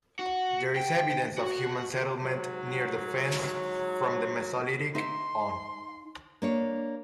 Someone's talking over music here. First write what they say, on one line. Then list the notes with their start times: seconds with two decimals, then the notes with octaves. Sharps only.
There is evidence of human settlement near the Fens from the Mesolithic on.
0.19 F#4
0.76 G5
1.38 F#4
2.22 G#2 F#3
4.95 D#4 E5 C6
6.42 A#3 D4 C#5